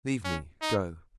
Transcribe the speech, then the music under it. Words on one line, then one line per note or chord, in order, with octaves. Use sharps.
"Leave me--go!"
C#4
D#4